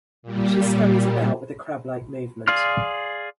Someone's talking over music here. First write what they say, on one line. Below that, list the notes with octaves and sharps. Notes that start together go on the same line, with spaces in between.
She scurries about with a crab-like movement.
A#2 G3
G#4 D5 F5 C6 F6